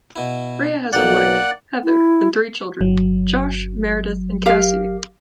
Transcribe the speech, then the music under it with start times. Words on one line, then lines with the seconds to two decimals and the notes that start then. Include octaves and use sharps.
Rea has a wife, Heather, and three children: Josh, Meredith, and Cassie.
0.16 B2 E4
0.93 B1 A#3 D5 F#5 G5
1.84 E4
2.81 G1 F#3
4.46 G4 A#4 F5